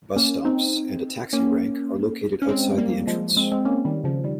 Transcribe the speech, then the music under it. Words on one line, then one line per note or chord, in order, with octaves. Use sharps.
Bus stops and a taxi rank are located outside the entrance.
A#3 C#4
C4 D#4
A#3 C#4
C#4
G#3 C4
G3 A#3
F3 G#3
G#3 C4
G#3 C4
A#3 C#4
D#3 G3
C#3 F3
D#3 G3